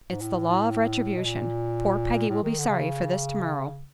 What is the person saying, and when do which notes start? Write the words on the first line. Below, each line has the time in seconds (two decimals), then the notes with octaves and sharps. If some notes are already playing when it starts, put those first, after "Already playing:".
"It's the law of retribution. Poor Peggy will be sorry for this tomorrow."
0.11 G#2
0.21 A2
1.17 B2
1.25 A#2
2.29 A2
2.43 D#3
2.59 D3
2.69 C#3